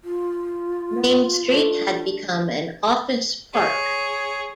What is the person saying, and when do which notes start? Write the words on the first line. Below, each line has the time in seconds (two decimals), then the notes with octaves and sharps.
Main street had become an office park.
0.04 F4
1.51 A3 D4
3.53 G#4 C#5